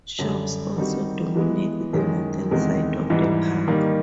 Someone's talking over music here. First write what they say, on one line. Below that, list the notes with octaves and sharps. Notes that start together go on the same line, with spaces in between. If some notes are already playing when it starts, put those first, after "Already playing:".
Shops also dominate the northern side of the park.
F#2 D3 G3
D#3 G3 C4 D#4 F#4
E3 G#3 B3
F#2 D#3 G#3
E2 C3 D#3 G#3
G#2 E3 G3
D#3 G3 A#3 D#4